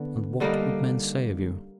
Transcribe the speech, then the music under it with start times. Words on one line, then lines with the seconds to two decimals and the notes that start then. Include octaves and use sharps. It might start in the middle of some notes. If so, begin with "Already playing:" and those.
"And what would men say of you?"
Already playing: D3 B3
0.40 D3 G3 A#3 D#4